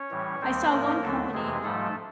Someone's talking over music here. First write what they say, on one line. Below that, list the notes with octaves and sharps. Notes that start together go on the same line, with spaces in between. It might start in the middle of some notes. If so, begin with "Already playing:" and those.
I saw one company, um,
Already playing: C#4 C#5
A2 E3 G3
D#2 D#3 G3 C4 C5
G#2 F3 A#3 A#4
D#2 D3 F#3 A3 A4
F2 C3 E3 G#3 G#4
G#2 F3 A3 A4